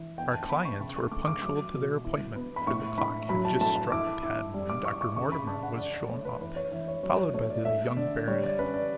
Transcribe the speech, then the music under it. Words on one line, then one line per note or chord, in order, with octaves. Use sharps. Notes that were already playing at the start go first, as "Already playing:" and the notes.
Our clients were punctual to their appointment, for the clock had just struck ten when Dr. Mortimer was shown up, followed by the young baronet.
Already playing: E3
B3 G5
A5
B3 B5
C#6
C#3 C#6
C#6
A3 D6
D6
F#3 D6
B2
E4
B3
B5
A2 C#6
A2 B5
F#3 B5
A5
A3 A5
A5
E4 D6
E4
G3
D6
D4 C#6
C#6
C#3 C#6
B5
D4 A5
F#5
D4 D5
D5
A3 C#5
B4
E3 B4
C#5
E3
C#5
F#3 C#5
C#5
A3 C#5
D5
A3 E5
D3 D5
G3 C#5
D5
C#4 B4
D5